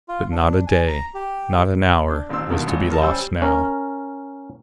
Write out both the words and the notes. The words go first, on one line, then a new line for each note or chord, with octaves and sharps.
But not a day, not an hour, was to be lost now.
F4
D4
G#5
A#5
G4
D4
A1 A#2 D#3 C4 C6 E6
E2 G2 B2 D3 D#3
G#1 G#2 F3
D2 A#4 A5
G3 C#4 C5 G5 E6
C#4 A#4